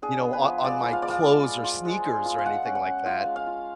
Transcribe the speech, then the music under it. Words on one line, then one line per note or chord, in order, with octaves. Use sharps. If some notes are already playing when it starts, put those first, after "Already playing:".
you know, o on my clothes or sneakers or anything like that-
D4 G#4
B3
B4
F3
G#3 D5
F3
F5
G#3 D5
F5
G#3
F4
F4
G#3
G#3
F4
F5
G#3 F#5
C#4
F#5
C#4
F4 F5
G#3
F5
F4